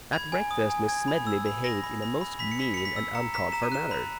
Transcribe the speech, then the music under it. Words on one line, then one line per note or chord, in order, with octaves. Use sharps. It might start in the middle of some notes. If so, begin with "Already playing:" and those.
At breakfast Miss Smedley behaved in a most mean and uncalled-for manner.
B5 G#6
G#5
D#6
G#5
G#5 G#6
B5
E6
B5
B5 A#6
B5
B5
B5
B5 B6
C#7
B5 B6
B5 C#7
B6
E6
A#5 C#7
A#5 B6
A#5 E7
D#7
F#6 E7
B5